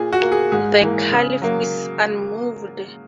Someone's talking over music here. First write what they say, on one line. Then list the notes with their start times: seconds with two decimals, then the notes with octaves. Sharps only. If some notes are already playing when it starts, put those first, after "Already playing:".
The Caliph is unmoved.
Already playing: A#2 G#4
0.13 F#4
0.22 A#3
0.32 G#4
0.52 G#2 G#4
0.81 E3 A#3
1.11 C#3
1.42 F#3 A#3